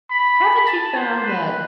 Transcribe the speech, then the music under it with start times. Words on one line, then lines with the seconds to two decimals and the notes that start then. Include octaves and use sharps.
haven't you found that,
0.11 B5
0.67 A5
0.96 C5
1.25 B4